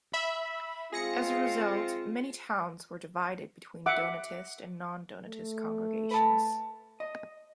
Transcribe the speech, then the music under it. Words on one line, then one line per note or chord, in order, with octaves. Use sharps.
As a result, many towns were divided between Donatist and non-Donatist congregations.
E5 B5
G#3 C4 F4 G#4 A#6 C#7
E5 F#5 D6
A3
B4 A5
D#5